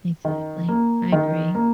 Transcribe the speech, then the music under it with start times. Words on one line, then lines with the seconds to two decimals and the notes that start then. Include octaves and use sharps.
Exactly. I agree.
0.25 D#3
0.68 A#3
1.12 D#3
1.55 A#3